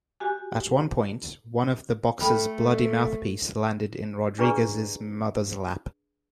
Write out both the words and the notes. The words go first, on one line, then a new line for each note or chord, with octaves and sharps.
At one point, one of the boxers' bloody mouthpiece landed in Rodriguez's mother's lap.
F#4 G4 G#5
A3 A4 G5 B5
D4 G#4 B4 D5 A#5 C#6